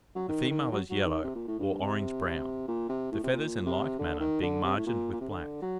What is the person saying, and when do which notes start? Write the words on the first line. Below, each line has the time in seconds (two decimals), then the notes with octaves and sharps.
The female is yellow, or orange-brown, the feathers in like manner being margined with black.
0.15 F#3
0.29 D#3
0.50 D#3
0.72 F#3
0.90 F#3
1.05 D#3
1.24 C3
1.35 A#2
1.47 A2
1.59 G2
1.81 C3
2.68 A#2
2.89 C3
3.11 A2
3.23 C3
3.33 A#2
3.66 C3
3.99 D3
4.20 D#3
4.42 D3
4.63 C3
4.77 A2
4.86 A#2
5.12 A#2
5.21 C3
5.30 D3
5.62 F#3